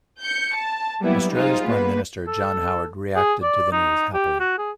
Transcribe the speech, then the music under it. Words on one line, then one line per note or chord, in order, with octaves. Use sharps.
Australia's Prime Minister John Howard reacted to the news happily.
G6 C#7
A5
F#3 G3 A#3 B3 E4
D#4 F4 G#4 C5
A#3 B3 B4
A4
G#4
D5
D#4
G4
F#4
G#4